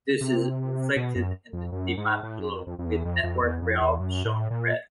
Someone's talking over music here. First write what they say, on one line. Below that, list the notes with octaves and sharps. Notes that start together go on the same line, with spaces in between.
This is reflected in the map below, with Network Rail shown in red.
C3
B2
F#2
F2
F#2
G#2
A2
F#2
F2
F2
F2
E2
F2
F2
E2
F2
E2
F#2
A2
A#2